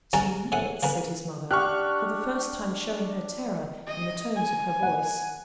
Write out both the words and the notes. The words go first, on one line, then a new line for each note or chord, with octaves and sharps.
'Twenty minutes!' said his mother, for the first time showing her terror in the tones of her voice.
G2 C#4 G#4 G5 A5 A#5
A2 G#4 F#5 D#6
C#3 A#3 B4
D4 G4 F#5 C#6 F6 F#6
D#5
G#5
F#5